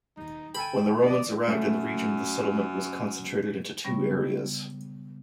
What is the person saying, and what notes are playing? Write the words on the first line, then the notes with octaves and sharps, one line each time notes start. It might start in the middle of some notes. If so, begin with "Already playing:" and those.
When the Romans arrived in the region, the settlement was concentrated into two areas.
D#2 D#4
D1 D#3 A4 G5 G#5 B5
D#3 F3 D4 D5 D#5
F#2 A3
C#3 G3 B3 C#6 A#6